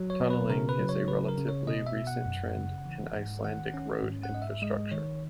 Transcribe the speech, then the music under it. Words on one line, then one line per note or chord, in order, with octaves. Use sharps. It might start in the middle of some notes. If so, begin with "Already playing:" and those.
Tunneling is a relatively recent trend in Icelandic road infrastructure.
Already playing: F#3
C#5
B2
B4
C#3 A#4
B4
F#3
C#5
C#3 B4
A#4
C#3
C#5
B2 D#5
E5
B2
F#5
F#2
C#3
E3
G#2
D#3 F#5
C#4
G#2
F#5
G#2 D#5
E5
G#3 D#5
D#3 C#5